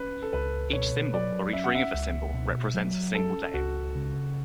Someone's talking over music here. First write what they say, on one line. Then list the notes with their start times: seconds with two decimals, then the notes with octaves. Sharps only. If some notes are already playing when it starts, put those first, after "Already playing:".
Each symbol, or each ring of a symbol, represents a single day.
Already playing: C#4 B4
0.22 A4
0.33 C#2 B4
0.73 B2 C#5
1.13 F#3 D5
1.53 C#4 E5
1.64 F#5
1.75 E5
1.94 C#2
2.33 B2
2.74 F#3
3.15 C#4 A4
3.54 C#2 F#4
3.95 C#3